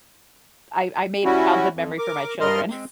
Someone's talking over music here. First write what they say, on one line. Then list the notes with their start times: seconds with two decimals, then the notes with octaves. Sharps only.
I I made a childhood memory for my children.
1.24 G3 C#4 E4 F#4
1.74 F2
1.98 A#4 D6
2.41 G2 G3 A#4 D#5 C6 F6
2.70 G#3 C4